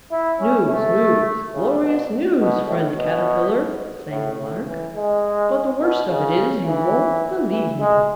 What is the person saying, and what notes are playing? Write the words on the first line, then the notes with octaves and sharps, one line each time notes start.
"News, news, glorious news, friend Caterpillar!" sang the Lark; "but the worst of it is, you won't believe me!"
E4
C#4
A3
C#3
B2
B2
A2
B2
A2
A2
E3
G#3
B2
C#3
E3
E3
G#3